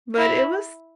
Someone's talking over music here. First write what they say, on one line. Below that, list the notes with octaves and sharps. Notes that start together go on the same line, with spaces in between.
but it was
E4